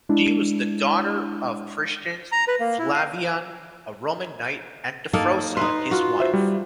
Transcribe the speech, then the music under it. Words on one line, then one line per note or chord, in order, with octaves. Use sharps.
She was the daughter of Christians, Flavian, a Roman knight, and Dafrosa, his wife.
G#3 D4 E4
A#5
B4
A#3
E4
F5
A#3 D#4 A4
D#4 B4 C6
F4 F#4
C5 E5
G3